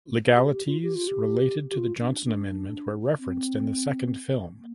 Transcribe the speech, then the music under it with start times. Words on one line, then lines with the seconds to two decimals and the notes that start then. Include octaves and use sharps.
Legalities related to the Johnson Amendment were referenced in the second film.
0.36 G4
0.52 G4
0.67 F4
0.83 G4
0.95 F4
1.08 G4
1.71 G4
1.77 F4
2.00 D4
2.24 D4
3.18 C4
4.58 A#3